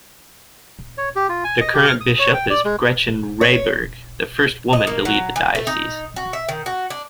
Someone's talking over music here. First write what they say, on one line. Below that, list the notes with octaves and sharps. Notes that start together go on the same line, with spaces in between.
The current bishop is Gretchen Rehberg, the first woman to lead the Diocese.
C#5
G4
F4
G#5
D#5
G4
F6
D#6
C#5
G5
D5
G#3
C#5
D#5
A#3
F#3
E3
A3
D#4
F#4
E5
D#3
F#4
D4